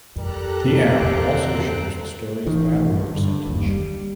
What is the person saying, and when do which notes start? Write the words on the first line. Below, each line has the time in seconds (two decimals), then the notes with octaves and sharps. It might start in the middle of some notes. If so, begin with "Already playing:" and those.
The app also shows the Stories’ battery percentage.
0.16 F2 G3 G4 A4 A#4 A#5 F#6
1.01 E2 D#3 C4
2.46 A1 D#3
2.88 G2
3.14 G2 D3
3.46 F#1 D#2
3.66 G3